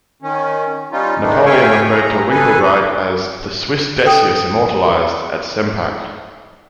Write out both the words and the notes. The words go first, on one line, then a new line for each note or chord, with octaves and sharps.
Napoleon referred to Winkelried as "the Swiss Decius immortalized" at Sempach.
D#3 C#4
G3 C#4 D#4 F4
D#3 G#3 A3 D4 D#4
C#5 E5 F5 G5 G#5 C#6
G#4 A#5
G#4 A4 B4 G#5
A4 G5 D#6